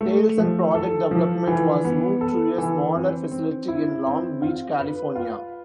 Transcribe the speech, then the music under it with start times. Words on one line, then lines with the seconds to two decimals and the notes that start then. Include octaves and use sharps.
Sales and product development was moved to a smaller facility in Long Beach, California.
0.01 A3
0.38 F3
0.75 A4
1.11 F3
1.47 E3
1.85 B3
2.21 A4
2.58 E3
2.95 C4
3.31 C4
3.68 E4
4.06 C4
4.42 F4
4.79 B4
5.16 F4